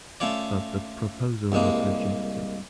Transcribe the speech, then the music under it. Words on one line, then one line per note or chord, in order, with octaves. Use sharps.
But the proposal was rejected.
A3 C#4 F4 C#5 D5
C2 G2 G#3 A#3